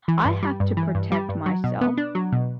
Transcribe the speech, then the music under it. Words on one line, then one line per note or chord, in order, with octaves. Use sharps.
I have to protect myself.
E3
G2
G3
G2
E3
G2
G3
G2
F#3
B2
B3
D4
F#3
B2